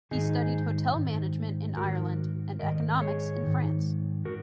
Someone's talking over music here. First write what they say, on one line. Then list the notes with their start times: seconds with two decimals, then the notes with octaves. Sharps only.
He studied hotel management in Ireland and economics in France.
0.11 G#2 D#3 D#4 G#4
0.94 G#2 D#3
1.77 G#2 D#3 F#4 A#4
2.59 G#2 D#3 A#4 D#5
3.01 G#4 C#5
3.43 G#2 D#3
4.25 F#4 A#4